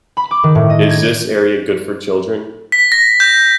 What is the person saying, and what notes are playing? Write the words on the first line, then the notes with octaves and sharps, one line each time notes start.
Is this area good for children?
B5
D6
D#3
A2
D#5
G#6
B6
A#6
G6